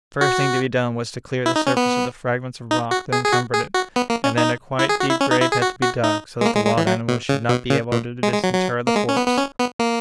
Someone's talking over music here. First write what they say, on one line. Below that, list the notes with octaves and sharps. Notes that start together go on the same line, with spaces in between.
The first thing to be done was to clear the surface of the fragments of rock that encumbered it, and then a quite deep grave had to be dug, so that the wild animals should not be able to disinter the corpse.
F#4
E4
D#4
C#4
B3
D#4
F#4
G#4
G#4
F#4
G#4
F#4
B3
A#3
C#4
D#4
E4
G#4
F#4
E4
C#4
D#4
E4
G#4
F#4
F#4
D#4
G#3
A#3
G#3
G#3
E3
F#3
B2
C#3
B2
C#3
A#2
G#3
G#3
F#3
F#3
A#3
G#3
C#4
B3
B3
C#4
B3
A#3